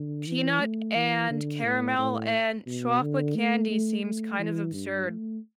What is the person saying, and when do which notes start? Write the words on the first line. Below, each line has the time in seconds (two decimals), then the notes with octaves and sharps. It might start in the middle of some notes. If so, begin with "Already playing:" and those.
peanut and caramel and chocolate candy seems kind of absurd.
Already playing: D3
0.27 E3
0.60 A3
0.95 E3
1.30 D3
1.64 A2
1.98 A2
2.67 B2
3.01 D3
3.36 A3
3.71 A3
4.04 A3
4.39 E3
4.73 G2
5.08 A3